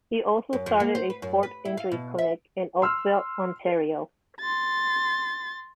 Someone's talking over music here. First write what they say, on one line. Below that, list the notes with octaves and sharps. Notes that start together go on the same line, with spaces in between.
He also started a sport injury clinic in Oakville, Ontario.
F#2
F2
A#3
C5
B4
F#2
B4
E4
F5
B2
E5
C6 E6 F6
C6 A6